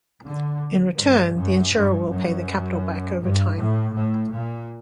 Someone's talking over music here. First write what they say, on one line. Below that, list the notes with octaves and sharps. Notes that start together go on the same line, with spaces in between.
In return, the insurer will pay the capital back over time.
D3
G2
F#2
G2
F#2
G2
A2
A2
A#2